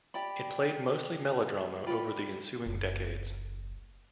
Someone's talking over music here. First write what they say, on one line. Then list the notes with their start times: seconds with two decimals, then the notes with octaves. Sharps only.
It played mostly melodrama over the ensuing decades.
0.14 G4 D5 G5 B5
1.86 F4 G4 D5 B5
2.66 F#1 B1